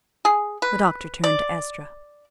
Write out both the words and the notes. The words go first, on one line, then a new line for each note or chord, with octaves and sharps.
The doctor turned to Estra.
G#4
B4
D5